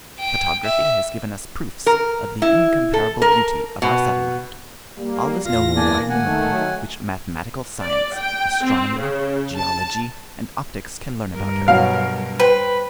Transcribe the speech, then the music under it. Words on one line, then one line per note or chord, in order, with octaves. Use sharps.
Photography has given us proofs of the incomparable beauty of our satellite; all is known regarding the moon which mathematical science, astronomy, geology, and optics can learn about her.
G5
E5
A#4
E4
A4
A#4
B2
G3 A#3
E2 F4 F5 A#6
A#3 D4 D5 G#5
D#3 A3 F#5 G#5
F#3
D5
G5
C4
C#3
A5
G2 A#4
B2 F#3 F#4 F5
B4 C5 G5